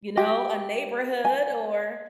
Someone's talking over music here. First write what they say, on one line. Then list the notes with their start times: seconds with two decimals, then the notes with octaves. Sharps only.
you know, a neighborhood or
0.17 G4
1.25 G#5